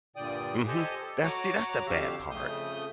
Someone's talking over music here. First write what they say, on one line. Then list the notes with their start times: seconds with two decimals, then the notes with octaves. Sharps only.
Mhm, that's see, that's the bad part.
0.16 G2 A#2 D3 D5 G5 D#6
0.68 G4 A4 C5 D#5 G#5
1.01 A4
1.24 F#4 C#5 F#5 A#5 D6
1.87 F2 D3 G4 F5 E6
2.31 F2 C#3 A3 D#6 G6